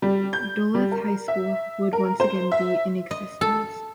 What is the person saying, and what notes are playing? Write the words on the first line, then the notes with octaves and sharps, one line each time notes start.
Duluth High School would once again be in existence.
G3
G6
G3
A#4
E5
A#4
C5
E5
D#5
A4